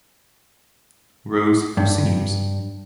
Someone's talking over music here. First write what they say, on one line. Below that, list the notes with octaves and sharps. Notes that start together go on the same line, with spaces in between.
Rose who seems.
G2